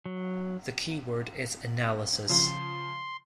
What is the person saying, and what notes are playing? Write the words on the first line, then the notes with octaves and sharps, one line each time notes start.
The key word is analysis.
F#3
C#3 F3 C6